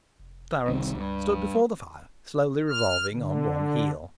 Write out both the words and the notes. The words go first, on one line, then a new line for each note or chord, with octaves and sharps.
Clarence stood before the fire, slowly revolving on one heel.
F1
C2 D#3 C4
C#2 G2
F6
D3